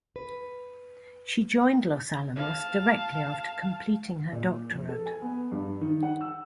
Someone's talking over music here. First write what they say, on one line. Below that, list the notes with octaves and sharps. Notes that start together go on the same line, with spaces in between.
She joined Los Alamos directly after completing her doctorate.
B4
F5 A5
A#2
F2
A4
G#5
B3
G2
D#3
F#5
E6